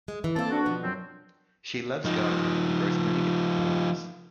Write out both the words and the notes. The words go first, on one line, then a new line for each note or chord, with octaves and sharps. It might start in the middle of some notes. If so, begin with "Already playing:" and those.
She loves gardening and grows many different plants.
G#3
E3
D3 A#3 C4 A4 A5
D4 F#4
B2 F3
F#2 F#3 C4
F3 D#4